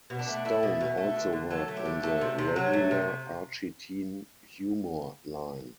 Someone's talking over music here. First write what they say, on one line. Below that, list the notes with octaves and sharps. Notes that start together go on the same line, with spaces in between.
Stone also worked on the regular Archie teen-humor line.
B2
D4
A3
A3 E4
B2
B2
A3 A4
D3
D3
F#3 A4
A3
G4
D3
A3 A4
C3
C3
F#3
A3
C3